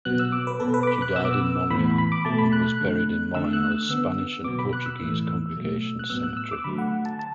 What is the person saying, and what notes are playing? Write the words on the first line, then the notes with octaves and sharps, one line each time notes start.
She died in Montreal and was buried in Montreal's Spanish and Portuguese Congregation Cemetery.
B2 F#3 B3 F#6
E6
D6
B4
B2 B3 A4
B4
D6
B5
F#6
B2 B3 E6
D6
E6
A2 E3 B3 B5
B5
D6
B2 A3 A5
B5
F#6
F#6
D3 A3
D3 A3 E6
F#6
E6
D3 B3
B2 F#3 B3 D6
B5
F#6
E6
A2 E3 A3
B2 F#3 A3
F#6
A2 F#3 B3 E6
F#6
E6
D6
D3 F#3 A3 B5
F#5
A5
A5